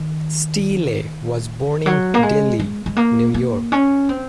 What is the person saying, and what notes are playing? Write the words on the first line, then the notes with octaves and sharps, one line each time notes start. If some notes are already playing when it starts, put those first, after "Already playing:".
Steele was born in Delhi, New York.
Already playing: D#3
F#3
A#3
G#3
G#3
G#3
A#3
A#3
C#4
C4